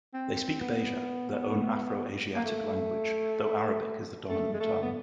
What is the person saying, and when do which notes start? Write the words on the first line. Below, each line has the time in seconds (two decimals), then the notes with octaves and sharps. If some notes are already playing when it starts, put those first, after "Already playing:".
They speak Beja, their own Afro-Asiatic language, though Arabic is the dominant tongue.
0.14 C4
0.60 B3
2.35 A#3
2.45 A3
4.29 A3
4.53 G#3
4.60 A3
4.82 B3